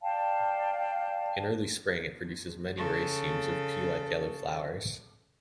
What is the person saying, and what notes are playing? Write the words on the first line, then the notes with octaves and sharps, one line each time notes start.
In early spring it produces many racemes of pea-like yellow flowers.
D5 F5 G5 A5
C#3 A4